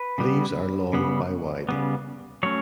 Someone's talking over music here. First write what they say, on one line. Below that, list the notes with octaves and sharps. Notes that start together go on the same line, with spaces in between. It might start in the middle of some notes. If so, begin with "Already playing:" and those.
Leaves are long by wide.
Already playing: B4
C#3 G3 B3
C#3 G3 B3
C#3 G3 B3
F#3 A3 C#4 C#5